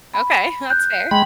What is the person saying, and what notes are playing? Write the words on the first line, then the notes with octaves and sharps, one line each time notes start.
Okay, huh, that's fair.
B5
F#6 G6
G#3 G5 B5